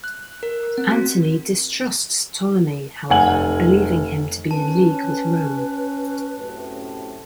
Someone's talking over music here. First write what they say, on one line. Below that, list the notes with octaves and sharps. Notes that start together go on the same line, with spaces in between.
Antony distrusts Ptolemy however, believing him to be in league with Rome.
F#6
A#4
C4
F#4
F1 F#5 G#5 F#7
C#4 B4 A5
F#2 A2 C3